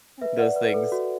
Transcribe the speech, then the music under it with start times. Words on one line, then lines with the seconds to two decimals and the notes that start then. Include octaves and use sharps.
Those things.
0.21 B4 E5
0.39 D5 F#5
0.56 B4
0.69 B4
0.74 A4
0.92 F#4